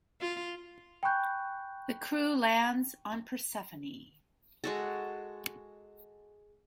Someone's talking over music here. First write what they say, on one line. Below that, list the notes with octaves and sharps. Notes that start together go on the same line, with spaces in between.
The crew lands on Persephone.
F4
G5 G#5 B5 C#6 F#6 G6
G#3 F#4 A4